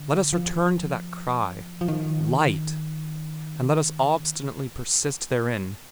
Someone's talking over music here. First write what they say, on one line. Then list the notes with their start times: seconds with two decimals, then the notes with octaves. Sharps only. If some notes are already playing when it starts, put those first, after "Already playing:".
Let us return to that cry: Light! and let us obstinately persist therein!
Already playing: D3
0.33 F3
1.81 F3
1.88 D#3